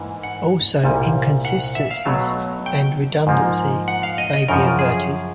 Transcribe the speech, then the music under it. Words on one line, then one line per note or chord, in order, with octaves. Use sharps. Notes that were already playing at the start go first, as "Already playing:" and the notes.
Also, inconsistencies and redundancy may be averted.
Already playing: G#2 E3 A#3
F#5
C2 A#2 G3 A#3
F#5
E5
F5
B1 B2 F#3 A3
G5
G#2 F3 A#3
F#5
F5
D#5
D#5
F#2 C#3 F3 A#4
G#4